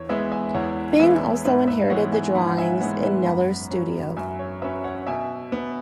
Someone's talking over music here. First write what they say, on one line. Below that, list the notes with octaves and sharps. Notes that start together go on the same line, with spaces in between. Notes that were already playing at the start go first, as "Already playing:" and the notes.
Byng also inherited the drawings in Kneller's studio.
Already playing: E2 C#5
E3 G#3 B3 B4 E5
E5 G#5
E2 C#5 F#5
E3 G#3 B3 B4 E5
G#2 B4 E5
B4 E5
E3 G#3 B3 C#5 F#5
E5 G#5
G#2 F#5 B5
F#5
E5 G#5
E3 G#3 B3 C#5 F#5
B4 E5
F#2 F#5 B5
F#3 C#4
F#2 E5 G#5
C#5
F#3 C#4 B4 E5
C#5 F#5
B2 E5 G#5
B3